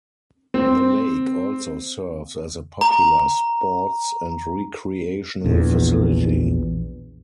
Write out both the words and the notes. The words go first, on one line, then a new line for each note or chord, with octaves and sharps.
The lake also serves as a popular sports and recreational facility.
C4
A#5
A#1 E2